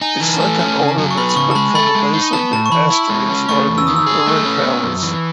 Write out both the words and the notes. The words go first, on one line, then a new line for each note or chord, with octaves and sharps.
A second order that split from the base of the asterids are the Ericales.
D#4 G#5
E3 A5
A5
A3 G#5
C#4 A5
C#3
A5
F#3
C#6
B3 B5
B5
C#3 C#6
A5
G#3 B5
A4 B5
G#3
D#4
B3 A5
A2 A5
C#6
E3 B5
E4
G#3
C#4
A3 C#6
E2
E6
D#3 D#6
E6
G#4
A3
C#4
B3
F#2
E3